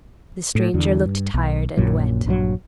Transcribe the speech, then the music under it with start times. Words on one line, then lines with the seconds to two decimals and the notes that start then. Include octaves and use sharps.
The stranger looked tired and wet.
0.55 A2
0.74 E2 D3
1.06 G2
1.34 B1
1.77 A#1 F#2 A#2 F#3
2.26 A#1 G2 D#3 F#3